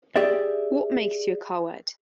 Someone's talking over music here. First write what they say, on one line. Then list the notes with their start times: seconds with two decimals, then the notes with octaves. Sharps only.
What makes you a coward?
0.16 G4 G#4 D5 E5